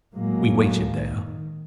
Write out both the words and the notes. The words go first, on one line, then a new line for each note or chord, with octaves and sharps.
We waited there.
A2 F#3 G#3 A#3
D#3